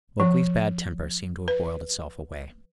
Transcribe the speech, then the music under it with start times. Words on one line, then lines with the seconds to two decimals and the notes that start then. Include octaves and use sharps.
Mowgli's bad temper seemed to have boiled itself away.
0.20 F3
1.48 B4